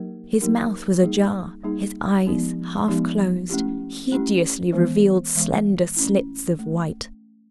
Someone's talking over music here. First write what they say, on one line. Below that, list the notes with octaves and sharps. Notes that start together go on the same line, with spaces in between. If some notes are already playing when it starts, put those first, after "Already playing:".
His mouth was ajar; his eyes, half closed, hideously revealed slender slits of white.
Already playing: F#3 A#3 D#4 G4 A#4
F#3 A#3 D#4 G4 A#4
G3 A#3 D#4 G#4
G3 A#3 D#4 G#4
F3 G#3 B3 D#4 G4
F3 G#3 B3 D#4 G4
A3 C#4 E4 G4
A3 C#4 E4 G4
E3 G#3 B3
E3 G#3 B3
A3 C#4 E4
A3